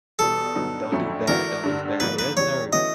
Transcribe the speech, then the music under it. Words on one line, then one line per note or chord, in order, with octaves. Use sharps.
don't do bad, don't do bad." It's nerve
E2 B2 G3 A4
G2 D3 F#3 B3 D#4
F2 D3 F#3 A3 C#4
E3 A3 D4 F#4 A#4
G2 D3 G3
G#2 F3 A#3 D#4 B4
B4
E2 C#3 E3 G3 C#5
E3 A3 C#4 F#4 D#5